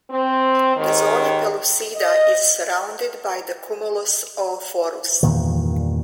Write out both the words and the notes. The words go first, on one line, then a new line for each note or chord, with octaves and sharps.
The zona pellucida is surrounded by the cumulus oophorus.
C4
D#2 G#2 D#3
D#5
E2 G2 A#2 D#3